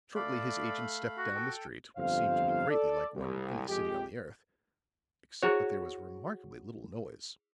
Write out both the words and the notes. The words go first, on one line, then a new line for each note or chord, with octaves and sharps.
Shortly his agent stepped down the street, which seemed to be greatly like one in any city on the earth, except that there was remarkably little noise.
A3 D5 F5 B5
F#4
A4 G5
G1 F2 C5 F5
A4 D5
C2
F2 G#3 G4
E4 F#4 G#4 C5 C#5